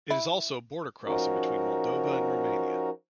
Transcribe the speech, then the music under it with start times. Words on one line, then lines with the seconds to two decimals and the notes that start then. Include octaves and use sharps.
It is also a border crossing between Moldova and Romania.
0.11 E4
1.06 F3 C#4 D#4 F#4 A#4